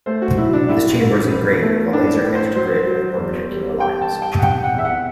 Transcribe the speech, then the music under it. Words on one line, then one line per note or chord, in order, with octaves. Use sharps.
This chamber is engraved with a laser-etched grid of perpendicular lines.
A3 C5
F#4
F#3 E4
D4
C2 E4
C2
B2
A3
A2 D4
A2
C5
F#3 C5
F#3
E2
G3
G3 G5
A5
G3
G5
F#5
C3 G5
F#5
E2 E5
F#5